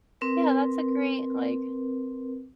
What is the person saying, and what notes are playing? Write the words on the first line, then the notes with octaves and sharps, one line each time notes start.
yeah, that's a great, like
C4 A#4 B4